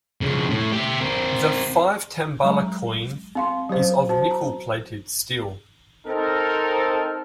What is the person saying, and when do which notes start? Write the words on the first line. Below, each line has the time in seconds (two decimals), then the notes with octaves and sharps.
The five tambala coin is of nickel-plated steel.
0.21 F2 C#3
0.50 A2
0.73 G4 E5
1.01 C4 A#4
2.43 F#3 G#3 A#5
3.35 C4 F5 C6
3.69 F#3 G4 C5 F5
4.09 F#4 C5 A5
4.31 A#5
6.07 C4 D#4 A4 A#4